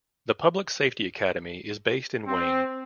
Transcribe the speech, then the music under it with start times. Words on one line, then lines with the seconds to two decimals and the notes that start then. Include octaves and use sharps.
The Public Safety Academy is based in Wayne.
2.26 C4